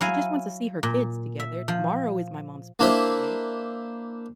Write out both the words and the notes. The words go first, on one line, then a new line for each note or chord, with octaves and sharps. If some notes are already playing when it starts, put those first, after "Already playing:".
she just wants to see her kids together. Tomorrow is my mom's birthday,
F#3 E4 F5 G#5
A#2
E5
F3
A#3 D4 E4 C5 E5